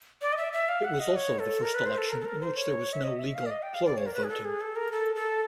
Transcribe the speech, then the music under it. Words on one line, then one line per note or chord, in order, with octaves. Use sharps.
It was also the first election in which there was no legal plural voting.
D5
D#5
E5
E5
F5
F#5
D#5
C#5
A4
A#4
B4
C5
A4
A#4
A4
A#4
C5
C#5
E5
D#5
E5
F5
D5
D#5
G5
F5
D5
C#5
A#4
B4
G#4
A4
G#4
A4
A#4
A4
A4